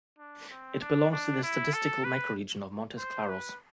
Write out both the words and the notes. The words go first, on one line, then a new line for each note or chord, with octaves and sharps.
It belongs to the statistical microregion of Montes Claros.
D4
C4
D4
D4
E4
A4
B4
C5
B4